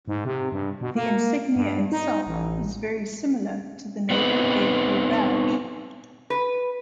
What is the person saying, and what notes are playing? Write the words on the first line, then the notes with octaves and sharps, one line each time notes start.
The insignia itself is very similar to the Naval Aircrew Badge.
G#2
C3
G2
B2
A#3
G2
D#4
A1
B3 C4 D#4 B4
B4